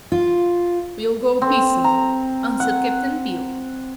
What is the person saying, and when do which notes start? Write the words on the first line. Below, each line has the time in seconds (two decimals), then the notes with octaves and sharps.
"We'll go peaceable," answered Cap'n Bill.
0.12 F4
1.42 C4
1.84 A#5
2.60 F#5